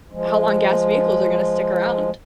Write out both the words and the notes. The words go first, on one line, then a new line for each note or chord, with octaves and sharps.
How long gas vehicles are gonna stick around,
F3 G#3